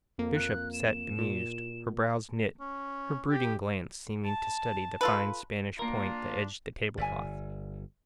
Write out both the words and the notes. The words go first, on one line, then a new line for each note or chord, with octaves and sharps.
Miss Bishop sat bemused, her brows knit, her brooding glance seeming to study the fine Spanish point that edged the tablecloth.
F2 A#3
F#6
E7
A#2
C#4
G4
A5
F4 A4 B4
A#3 D4 F4 A#4
G1 D5 E5 G#5